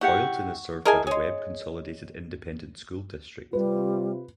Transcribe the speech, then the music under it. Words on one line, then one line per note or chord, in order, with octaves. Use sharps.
Oilton is served by the Webb Consolidated Independent School District.
E4 F#4 G4 F#5
E4 G#4 A#4 D#5 G#5 A5
G#3 G#4 C#5
C3 G3 F4 B4